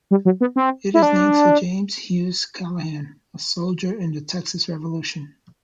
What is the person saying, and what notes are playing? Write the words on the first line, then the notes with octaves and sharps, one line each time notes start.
It is named for James Hughes Callahan, a soldier in the Texas Revolution.
G3
F#3
B3
C4
E4
D4